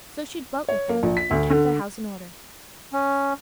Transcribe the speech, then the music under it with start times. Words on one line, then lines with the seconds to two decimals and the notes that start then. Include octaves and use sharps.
So she dwelt with them, and kept their house in order.
0.69 C#5
0.89 A#3
1.03 A#1
1.17 B6
1.31 D2
1.50 D3
2.93 C#4